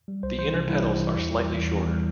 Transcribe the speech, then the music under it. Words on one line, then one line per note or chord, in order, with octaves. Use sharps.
The inner petals are slightly shorter.
G3
C2 C5
E3 C5
C3 D4
G3 E4
C2
E3
E2
G3
E3
E2
E2
G3